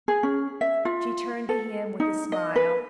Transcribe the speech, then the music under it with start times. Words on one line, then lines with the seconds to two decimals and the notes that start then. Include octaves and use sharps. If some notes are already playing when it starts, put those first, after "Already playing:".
She turned to him with a smile.
0.08 G#4
0.23 C#4
0.61 E5
0.85 F4
1.49 A4
2.00 D#4
2.32 D#5
2.56 B4